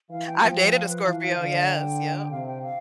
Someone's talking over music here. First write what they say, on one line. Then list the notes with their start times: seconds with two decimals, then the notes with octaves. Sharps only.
I've dated a Scorpio, yes, yep.
0.10 E3 F5
0.27 G5
0.41 F3 G5
0.58 G5
0.74 F5
0.89 B4
1.05 E3 F5
1.21 F5
1.37 D3
1.68 G5
2.31 C3 F5
2.46 G5
2.62 F5